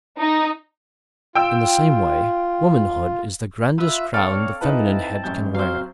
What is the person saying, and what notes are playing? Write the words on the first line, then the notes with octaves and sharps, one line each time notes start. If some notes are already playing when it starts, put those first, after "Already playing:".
In the same way womanhood is the grandest crown the feminine head can wear.
D#4
F4 G5 E6
F4 B4 E5 E6
C4 D4 A4 C#5 F5 D6
C4 D#4 E4 B4 A5
A1 F#2 G6
F#3 C4 C5 F5